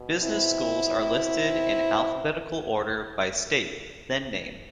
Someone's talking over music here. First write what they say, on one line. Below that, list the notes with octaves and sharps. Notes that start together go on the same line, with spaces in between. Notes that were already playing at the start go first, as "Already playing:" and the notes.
Business schools are listed in alphabetical order by state, then name.
Already playing: B2
C4 E4